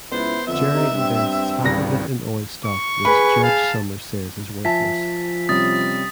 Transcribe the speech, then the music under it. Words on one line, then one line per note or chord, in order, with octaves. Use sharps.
Jerry invests half of it in oil stock which Judge Somers says is worthless.
C#2 B3 E4 C5
F2 D3 E5
C3 D#4
G2 C4
G#1 C#2 G3 A#6
C#6
G#4 B4 B5
F5 A5
F3 E5 G#5 A5 B6
C3 G3 C#4 D#6 A6